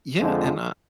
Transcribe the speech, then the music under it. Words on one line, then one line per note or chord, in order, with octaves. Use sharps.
Yeah, and, uh
F2 D3 F3 G#3